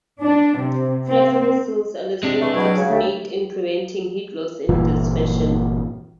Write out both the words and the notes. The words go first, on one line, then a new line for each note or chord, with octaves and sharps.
Flexible seals at the suit cuffs aid in preventing heat loss in this fashion.
D4
C3
C4
C3 G#3 D4
E3 A3
E2 B2 F#3 F#4 C#6 G#6
C#3
D2 G4 A4 E5
G1 A#2 E3